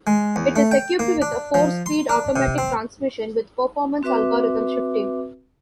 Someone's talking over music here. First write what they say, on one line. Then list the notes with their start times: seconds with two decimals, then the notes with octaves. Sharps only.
It is equipped with a four-speed automatic transmission with performance algorithm shifting.
0.07 G#3
0.36 E2
0.56 A3
0.71 G5
0.99 A#3
1.22 D4
1.54 F3
1.86 C6
2.09 D4
2.36 C3
2.58 C4
4.03 C4 F#4 B4 E5 D6